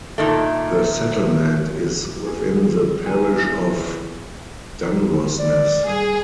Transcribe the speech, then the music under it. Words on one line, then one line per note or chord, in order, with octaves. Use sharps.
The settlement is within the parish of Dunrossness.
A#2 D#3 A3
G#4
E2 G#5 A#5
D#4
D5
G3 G#4